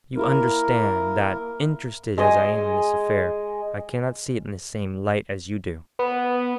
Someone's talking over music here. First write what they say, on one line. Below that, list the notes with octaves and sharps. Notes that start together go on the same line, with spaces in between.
You understand that, interested as I am in this affair, I cannot see it in the same light as you do.
A#3 E4 A#4
G#3 G#4 D#5 G#5
B3